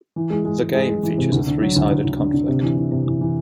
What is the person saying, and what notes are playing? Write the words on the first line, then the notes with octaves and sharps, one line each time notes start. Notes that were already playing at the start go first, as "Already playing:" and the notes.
The game features a three-sided conflict.
E3
G#3
G#3
G#3
G#3
G#3
E3
C3
D2
D3
F#3
D2
D2
D2
D3
D3
C3
E3
E3
C3
E3
E3